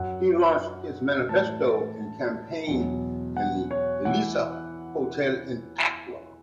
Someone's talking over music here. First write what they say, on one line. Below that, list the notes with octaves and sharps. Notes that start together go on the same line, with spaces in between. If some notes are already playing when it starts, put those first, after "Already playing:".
He launched his manifesto and campaign at the Alisa Hotel in Accra.
Already playing: F#2 F#3 F#5
A2 E3 A5
E2 B2 F#3
F#5
C#5
E3 F#5